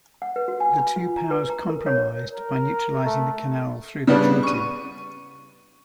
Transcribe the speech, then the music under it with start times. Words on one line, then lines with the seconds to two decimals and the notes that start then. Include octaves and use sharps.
The two powers compromised by neutralizing the canal through the treaty.
0.22 F#5
0.36 B4
0.48 F#4
0.60 G#5
0.78 B5
0.96 F4
1.17 A#5
1.31 B4
1.50 A#5
1.69 A#4
1.86 C#5
2.33 A#4
3.04 A3
4.07 C#3 G3 B3 D4
4.43 C#6 D#7